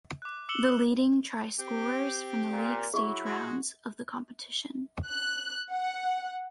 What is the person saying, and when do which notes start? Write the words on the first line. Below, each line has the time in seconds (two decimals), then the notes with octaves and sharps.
The leading try scorers from the League Stage rounds of the competition.
0.22 D6 F#6
0.49 D6 E6 C#7 E7 F#7 G7
1.59 C4 G4
2.52 A#2
2.94 F#3 E4 G#4 C#6
3.25 G#3 F#4
5.06 F#6
5.71 F#5